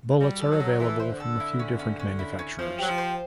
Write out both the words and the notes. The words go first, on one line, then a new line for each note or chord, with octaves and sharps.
Bullets are available from a few different manufacturers.
G3 F#4
A4
F#3
D#4
E3 A4
C5
D3
A4
E4
C#4
C#4
C#4
E4
C#4
F3 C5
F#3 G4
F3
C5